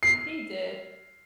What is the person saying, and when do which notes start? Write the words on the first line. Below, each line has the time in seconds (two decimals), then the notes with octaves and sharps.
He did,
0.03 C7